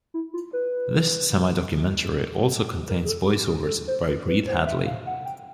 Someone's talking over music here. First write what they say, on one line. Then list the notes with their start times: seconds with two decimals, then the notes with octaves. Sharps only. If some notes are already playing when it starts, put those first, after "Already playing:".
This semidocumentary also contains voice-overs by Reed Hadley.
0.14 E4
0.34 F4
0.53 B4
2.89 A#4
3.05 G#4
3.09 A4
3.25 G#4
3.28 G4
3.48 G#4
3.67 A4
3.88 C5
4.07 B4
4.28 B4
4.47 C5
4.66 E5
4.86 F5
5.07 F#5
5.25 G5